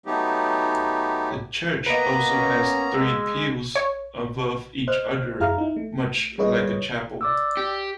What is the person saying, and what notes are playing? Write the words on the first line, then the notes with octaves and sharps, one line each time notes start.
The church also has three pews above each other, much like a chapel.
F#3 A3 B3 D#4 G4
A#3 B3 B4 D#5 A#5
C#4
G#3 E6
C#5
C5 D#5 F6 F#6
F#2 E4 G#4 F5 A#5 F6
D#4 E4
A3
G3 G#4 B4 C#5 D#5
D5 D6 E6
G4